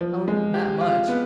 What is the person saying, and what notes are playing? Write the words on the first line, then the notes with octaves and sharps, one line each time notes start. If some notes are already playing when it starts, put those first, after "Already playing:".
Oh, not much.
F3
G#3
G4
F4
B3